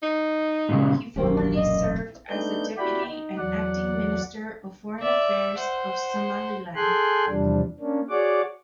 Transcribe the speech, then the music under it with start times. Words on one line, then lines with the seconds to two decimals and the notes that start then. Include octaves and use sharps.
He formerly served as the Deputy and acting Minister of Foreign Affairs of Somaliland.
0.03 D#4
0.69 A#2 C#3 G#3
1.16 E1 B1 F#2 D#3 A#3 G4
1.56 A#2 D#5
2.30 A3 B3 D4 D#4 G6
2.77 E4 F#4 G4 D5 G5 B5
3.08 D#4
3.38 E2 F#3 D5 F#5
5.00 D5 E5
5.59 C5 F#5
6.76 G#4 A4 G5 G#5 C6 F#6
7.28 E2 C3 F3 G3 D4
7.80 A#3 C#4 D4
8.09 F#4 G#4 C#5 D5 F#5 D6